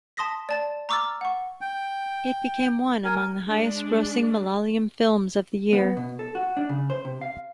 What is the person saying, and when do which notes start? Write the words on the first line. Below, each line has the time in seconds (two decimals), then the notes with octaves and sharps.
It became one among the highest-grossing Malayalam films of the year.
0.17 A5 C6 D#6 A#6 B6
0.49 D5 A5 A6
0.89 A#5 C#6 D6 E6 F6 A6
1.21 F#5 C#6
1.61 G5
3.05 A#4 G#5
3.44 G#3 D4
5.73 B3
5.97 B2
6.19 A4
6.35 F#4
6.57 D4
6.69 C#3
6.90 C5
7.05 C3
7.21 F5